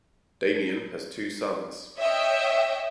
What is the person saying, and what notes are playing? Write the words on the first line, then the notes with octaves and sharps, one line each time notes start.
Damien has two sons.
C#5 D#5 E5 G5